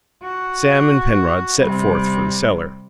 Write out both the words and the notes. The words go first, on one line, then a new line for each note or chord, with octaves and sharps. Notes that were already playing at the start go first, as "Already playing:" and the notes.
Sam and Penrod set forth for the cellar.
F#4
C3 G3